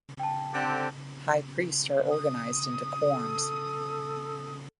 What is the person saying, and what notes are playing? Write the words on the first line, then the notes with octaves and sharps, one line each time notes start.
High priests are organized into quorums.
G5 A5
D3 C4 G4
D#6
A4